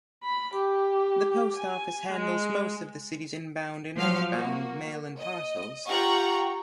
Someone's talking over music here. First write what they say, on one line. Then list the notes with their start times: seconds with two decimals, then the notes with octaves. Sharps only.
The post-office handles most of the city's inbound and outbound mail and parcels.
0.23 B5
0.55 G4
1.57 G#5
2.12 G#3
3.96 F3 F#3 F5 F6
4.31 A#3 F#4
5.18 D#5
5.88 F4 G4 F#5 G5 A#5 C#6